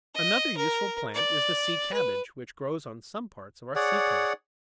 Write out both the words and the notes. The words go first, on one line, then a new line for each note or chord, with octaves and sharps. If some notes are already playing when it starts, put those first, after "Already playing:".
Another useful plant is the Sea Cabbage, which grows on some parts of our sea coast.
D#5
A#4
D5
B4
G#4 C#5 D5 F#5